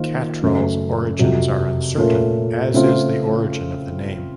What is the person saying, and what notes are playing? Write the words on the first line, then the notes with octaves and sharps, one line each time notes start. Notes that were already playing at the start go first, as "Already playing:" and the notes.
Catral's origins are uncertain, as is the origin of the name.
Already playing: D#3 A#3 F4 C5
F#2 C#3 A3
F2 C3 F#3
A#2 A3 C#4 F4 A#4
C#3 A3 C4 F4 C5